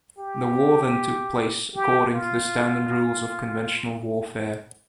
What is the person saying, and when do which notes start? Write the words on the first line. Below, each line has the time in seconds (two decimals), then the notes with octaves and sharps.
The war then took place according to the standard rules of conventional warfare.
0.18 G4
1.75 G4
2.14 F4